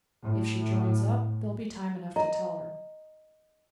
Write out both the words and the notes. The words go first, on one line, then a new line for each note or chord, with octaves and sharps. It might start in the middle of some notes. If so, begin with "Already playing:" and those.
If she joins up, there'll be time enough to tell her.
A2
D#5 A#5